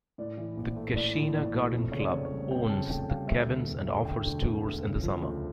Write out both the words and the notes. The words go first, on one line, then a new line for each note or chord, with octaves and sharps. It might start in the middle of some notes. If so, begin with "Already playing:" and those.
The Cassina Garden Club owns the cabins and offers tours in the summer.
A2 D5
E3
A#1
A3
A2 D5
E3
A#1 D5
A3
F2
C#3 C#5
D5
F1
C#5
G3
F2 G5
C#3 A5
F1 G5
G3 F5
D2 E5
D3
E1
A3
D2 G5
D3
E1
A3
C#3
F3
D2